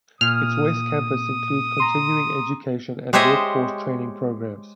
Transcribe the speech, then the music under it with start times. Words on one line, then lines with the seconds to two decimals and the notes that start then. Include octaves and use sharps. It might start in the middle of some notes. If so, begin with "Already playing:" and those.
Its West Campus includes continuing education and workforce training programs.
0.21 A#2 D#6 F6
1.78 A#5 C6 D#7
3.13 G#3 G4 C5 C#5 D#5 E5